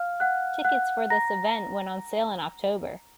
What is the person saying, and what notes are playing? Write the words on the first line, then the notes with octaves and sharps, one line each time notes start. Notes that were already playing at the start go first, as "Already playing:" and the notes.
Tickets for this event went on sale in October.
Already playing: F5 F6
F#5 F#6
F#5 F#6
A#5 A#6